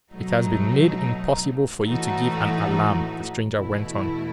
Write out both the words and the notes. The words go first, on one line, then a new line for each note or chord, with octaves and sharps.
"It has been made impossible for you to give an alarm," the stranger went on.
B2 F#3 A3 D#4
A2 E3 A3 D#4 F#4
E2 B2 A3 E4